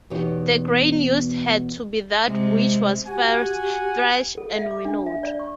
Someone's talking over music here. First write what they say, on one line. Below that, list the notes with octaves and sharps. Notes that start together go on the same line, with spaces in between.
The grain used had to be that which was first thresh and winnowed.
E2 B2 B3 D#4 G4 C#5
C3 G#3
F#4 G4 F#5 G#5
A4
E5
D6
D4
E5
D5
C#6